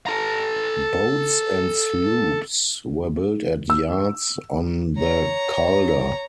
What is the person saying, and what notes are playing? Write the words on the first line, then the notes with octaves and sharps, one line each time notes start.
Boats and sloops were built at yards on the Calder.
A4 A#5
E6
C#5 A#5